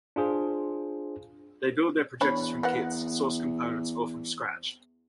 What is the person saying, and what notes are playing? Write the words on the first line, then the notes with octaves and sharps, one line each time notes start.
They build their projectors from kits, sourced components, or from scratch.
D4 F4 G#4 C5
E2 D4 C#5 B5
B3 A#4 F#5